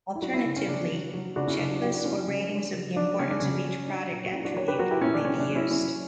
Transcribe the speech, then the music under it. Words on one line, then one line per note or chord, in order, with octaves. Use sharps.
Alternatively checklists or ratings of the importance of each product attribute may be used.
E4
F#3 D4 F#4
C#4 E4
C#3
C#4
C#3 D4
F#3
F#3
C#3 D4 F#4
C#4 E4
C#3 D4
D4 F#4
F#3 E4 G4
D4 F#4
F#3 C#4 E4
C#3
C#3 D4
F#3
F#3 D4
C#3 C#4
D4
C#3 C#4
F#3
F#3 D4
A#2
F#4
A#2 C#4 E4
D4 F#4
F#3 A#4 C#5
G4 B4
F#3 F#4 A#4
E4 G4
A#2 C#4 E4
D4
A#2 C#4
D4
F#3
C#4 E4
F#3 C#4 E4